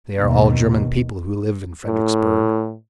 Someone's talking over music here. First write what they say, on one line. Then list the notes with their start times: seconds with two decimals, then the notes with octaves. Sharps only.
They are all German people who live in Fredericksburg.
0.19 D#2 B2
1.86 A2